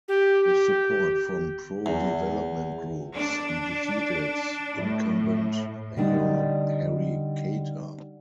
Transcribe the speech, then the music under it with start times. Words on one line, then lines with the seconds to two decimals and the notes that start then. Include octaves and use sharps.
With support from pro-development groups, he defeated incumbent mayor Harry Cater.
0.08 G4
1.86 E2
3.15 D4
4.79 A2
5.97 D3 G3 D4 D#4